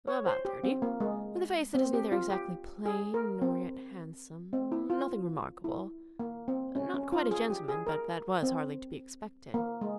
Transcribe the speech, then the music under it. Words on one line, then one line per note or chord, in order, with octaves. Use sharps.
'About thirty--with a face that is neither exactly plain, nor yet handsome, nothing remarkable--not quite a gentleman; but that was hardly to be expected.'
C#5
C5
G4
C4
A#3
G#3
C4
G4
F4
G4
G#4
A#4
C4
C4
E4
F4
E4
A#3
C4
C#4
C#4
F4
G#4
G4
G#4
A#4
C4
A#3
G#3